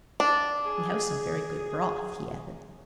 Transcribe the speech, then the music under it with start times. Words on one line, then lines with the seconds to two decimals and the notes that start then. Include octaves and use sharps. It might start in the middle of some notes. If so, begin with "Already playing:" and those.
"We have some very good broth," he added.
0.20 D4
0.66 G#4